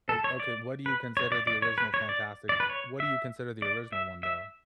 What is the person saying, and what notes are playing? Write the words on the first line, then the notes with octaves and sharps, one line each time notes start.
Oh, okay. What do you consider the original Fantastic f What do you consider the original one, though?
A4
C#5
D5
B4
C#5
D5
D5
C#5
B4
C#5
D5
D5
B4
C#5
E5
D5
E5
E5